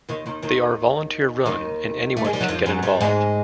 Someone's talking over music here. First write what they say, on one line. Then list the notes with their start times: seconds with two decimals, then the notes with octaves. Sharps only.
They are volunteer-run, and anyone can get involved.
0.09 D#2 D#3
0.26 D#2 D#3
0.42 D#2 D#3
1.46 D#2 D#3
2.17 A3
2.25 G#3
2.33 G3
2.41 F#3
2.48 F2 F3
2.66 F#2 F#3
2.83 G2 G3
3.01 G#2 G#3